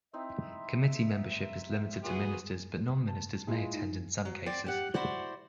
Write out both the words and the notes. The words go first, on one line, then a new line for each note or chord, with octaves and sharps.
Committee membership is limited to ministers, but non-ministers may attend in some cases.
C4 D#4 E4 E5
B3 F4 F#4 G#4 F5
A5
G#3 E4 F4
D#4
F#3
C4 D5
G4 F#5
E4 F#4 C5 D5